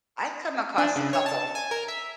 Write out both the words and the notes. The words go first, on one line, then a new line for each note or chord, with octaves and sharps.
I've come across a couple,
D4
C#3
C#5
A5
G#5
A#4
E5